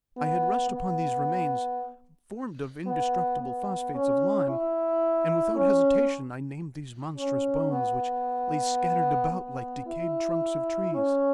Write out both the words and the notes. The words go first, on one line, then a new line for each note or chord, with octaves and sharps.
I had rushed upon these remains, formed of indestructible phosphates of lime, and without hesitation I named these monstrous bones, which lay scattered about like decayed trunks of trees.
B3
B3
B3
B3
C#4
E4
C#4
C#4
B3
B3
E4
C#4